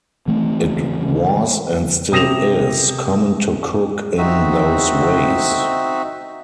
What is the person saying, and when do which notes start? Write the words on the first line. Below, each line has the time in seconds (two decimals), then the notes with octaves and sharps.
It was and still is common to cook in those ways.
0.28 E3 A3 C4
2.12 C3 D#6 A#6 E7 F7
4.18 C4 D#4 F#4 E5